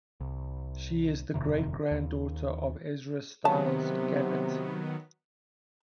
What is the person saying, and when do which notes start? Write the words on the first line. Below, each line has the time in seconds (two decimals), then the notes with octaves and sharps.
She is the great-granddaughter of Ezra Stiles Gannett.
0.20 C2
1.34 D#1 F2 C3 D#3
1.91 D#2
3.45 C3 D#3 F#3 B3 A5